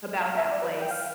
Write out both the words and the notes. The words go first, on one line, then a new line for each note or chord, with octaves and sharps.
about that place.
F5
E5
D5
B4
G5
F5